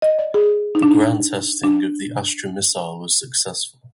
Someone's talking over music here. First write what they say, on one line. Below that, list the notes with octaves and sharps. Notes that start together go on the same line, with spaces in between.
The ground testing of the Astra missile was successful.
D#5
D5
G#4
D#4
D4
D#4
D4